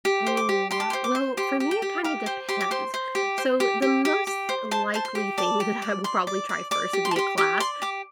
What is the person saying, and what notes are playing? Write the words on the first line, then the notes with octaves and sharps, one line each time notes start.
Oh, wel well, for me, it kinda depends. So, the most likely thing that I will probably try first, would be a class,
G4
C5
D6
G4
G4 C6
A5
C6
C5
D6
C5
G4 C6
G4
G5
G4
G4 F5
C5 G5
G4 C6
D6
C5 C6
C5
G4
C5
G4
G4
G4
G4
C5
C5 A5
C5 A5
C6
G4
D5 A5
G4
D5
D5 C6
D5
D5
D5 D6
G4
C6
A5
G4 C6
G4 D6
D5 C6
G4 D6